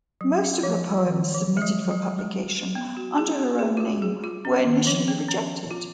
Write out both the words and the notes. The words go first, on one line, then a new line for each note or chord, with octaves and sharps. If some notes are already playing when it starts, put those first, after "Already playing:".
Most of her poems submitted for publication under her own name were initially rejected.
F#3
F3
D#3
F3
G#3
F#3
F#3
G#3
B3
F#4
G#4
F#4
G#4
F4
F#4
G#4
F4
C#4
D#3
F3
B3
C#4
F4